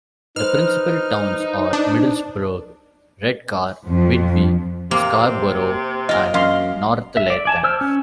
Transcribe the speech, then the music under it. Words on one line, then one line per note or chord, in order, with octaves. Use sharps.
The principal towns are Middlesbrough, Redcar, Whitby, Scarborough and Northallerton.
D#4 B4 C5 F6
D4
F2
C3 A#3
F4 A#4 D#5
F#2 F5 C6
E5
D5
D5 G#5 A5
C5 E6 F6
C#4